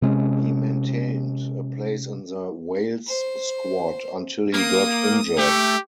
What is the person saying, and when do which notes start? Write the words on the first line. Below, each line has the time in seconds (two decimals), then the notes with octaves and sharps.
He maintained a place in the Wales squad until he got injured.
0.02 C3 G#3 C#4
3.07 C5
4.54 A#3 D#6
5.38 A3 G4